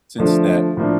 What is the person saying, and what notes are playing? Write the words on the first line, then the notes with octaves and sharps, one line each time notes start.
since that
D3 F3 A3 D4
A2 F3 A#3 D4